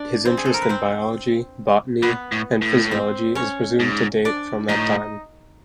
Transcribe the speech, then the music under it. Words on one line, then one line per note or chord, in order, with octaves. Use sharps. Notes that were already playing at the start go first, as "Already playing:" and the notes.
His interest in biology, botany and physiology is presumed to date from that time.
Already playing: D4 D5
C4 C5
G#4
A4
A#4
B4
C4 C5
A#2 B3 B4
A2
A2
C4 C5
C#4 C#5
G#2
D4 D5
A2 D#4 D#5